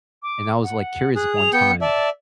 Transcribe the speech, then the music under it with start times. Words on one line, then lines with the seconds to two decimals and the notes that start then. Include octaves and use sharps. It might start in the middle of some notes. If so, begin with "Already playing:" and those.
and, I was, like, curious one time,
0.23 D6
0.64 F#5
1.16 G#4 F#6
1.37 F7
1.53 B3 G5 G6 C#7
1.81 D5 E5 A5